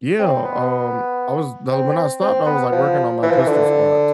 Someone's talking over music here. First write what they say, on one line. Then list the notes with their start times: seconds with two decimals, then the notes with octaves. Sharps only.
yeah, um, I was The When I stopped, I was, like, working on my pistol squats,
0.19 C4
0.44 B3
1.71 C4
2.22 C4
2.46 B3
2.72 F3
3.22 E3
3.31 F3
3.39 E3
3.47 D3